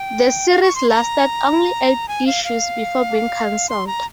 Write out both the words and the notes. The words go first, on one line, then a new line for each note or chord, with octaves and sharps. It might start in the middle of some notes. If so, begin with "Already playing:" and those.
The series lasted only eight issues before being canceled.
Already playing: G5
F5
C#6
C6
A#5
G#5
F5
F5
C6
A#5